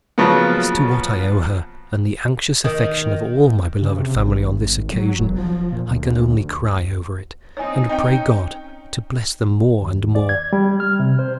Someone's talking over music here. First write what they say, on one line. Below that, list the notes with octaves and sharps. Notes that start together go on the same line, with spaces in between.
As to what I owe her, and the anxious affection of all my beloved family on this occasion, I can only cry over it, and pray God to bless them more and more.'
C#3 F3 F#3 A#3 B3
D#3
C#3
C3
G#1
F#3
E1
F3
A#2
D2
C4 D#4 C#5 G#5
C4 C#4 D#4 D#5 G5
D#2
D5
G#6
G3
F6
C3
C5